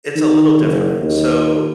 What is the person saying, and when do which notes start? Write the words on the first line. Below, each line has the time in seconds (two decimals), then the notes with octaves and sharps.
It's a little different, so
0.16 D#3
0.62 F#1
0.99 D#2